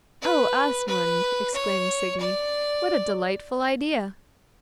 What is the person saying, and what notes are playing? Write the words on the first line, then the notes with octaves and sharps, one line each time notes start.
'Oh, Asmund!' exclaimed Signy, 'what a delightful idea!
B4
B4
C#5
D5